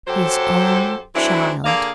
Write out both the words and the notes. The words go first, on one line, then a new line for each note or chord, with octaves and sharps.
His own child!
F#2 F#3 G4 A4 C5
E3 F#3 A3 C4 D4 E4
D3 A#3 G#4 D5 F5